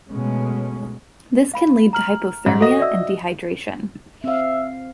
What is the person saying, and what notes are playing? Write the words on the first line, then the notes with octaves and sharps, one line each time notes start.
This can lead to hypothermia and dehydration.
B2 G#3 A3 C#4
F5 B5
A#5 F6 F#7
G#2
F#4 A4 D#5
D5 E5 E6
C4 E5 F5